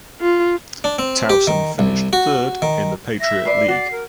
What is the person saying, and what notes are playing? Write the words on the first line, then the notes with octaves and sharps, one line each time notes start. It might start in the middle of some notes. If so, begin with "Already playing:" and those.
Towson finished third in the Patriot League.
F4
D4
C4
G4
D#3
C2
F#4
D#3
E5 A#6
B4 D5 C7
F#4 D5
A#4